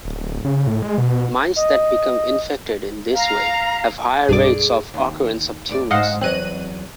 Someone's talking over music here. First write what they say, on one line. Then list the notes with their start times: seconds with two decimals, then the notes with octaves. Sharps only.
Mice that become infected in this way have higher rates of occurrence of tumors.
0.05 D1
0.23 D1
0.45 C#3
0.67 A2
0.82 G#3
0.98 B2
1.56 D#5
3.13 F5 A#5
4.29 B1 G2 G#4 A4 D5 D6
4.94 D#2
5.69 D2 D5
5.91 G#2 C5 D#5 F5 F#5
6.21 E2 F#3 C4 D#5 F#6 D#7